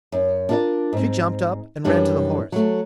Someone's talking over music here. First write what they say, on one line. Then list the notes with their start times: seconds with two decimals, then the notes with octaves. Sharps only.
She jumped up and ran to the horse.
0.12 F#2
0.49 D4 E4 F4 A4 A#4 D5
0.93 G#2 C4
1.84 F#2 E3 G3 D4
2.52 F#3 A3